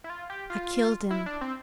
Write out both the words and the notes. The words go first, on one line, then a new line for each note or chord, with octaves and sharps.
I killed him.
E4
F4
G4
F4
E4
D4
C4